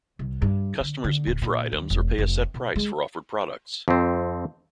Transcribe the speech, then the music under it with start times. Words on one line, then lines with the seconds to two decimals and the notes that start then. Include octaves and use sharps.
Customers bid for items or pay a set price for offered products.
0.19 C2
0.42 G2
0.80 D3
1.04 D3
1.27 D1
1.42 A#2
1.72 D#2
1.90 E1
2.18 F1
2.54 B2
2.76 G#3
3.88 F2 C4